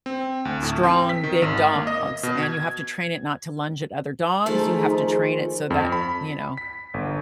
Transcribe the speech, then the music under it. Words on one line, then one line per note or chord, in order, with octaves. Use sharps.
strong, big dogs, and you have to train it not to lunge at other dogs, you have to train it so that, you know,
C4
D2
A2
C4
B6
D#3
G#1
A#3
D#5
B2
G#6
D#3 F3 A3 D#4 G#4 C5
F2
B5
B6
G1